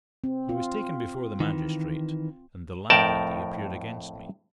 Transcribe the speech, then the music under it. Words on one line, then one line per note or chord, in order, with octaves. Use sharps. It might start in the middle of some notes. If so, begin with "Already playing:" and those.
I was taken before the magistrate and the landlady appeared against me.
C4
F4
D#3 E3
F2 A2 A#4 D5 G5 A5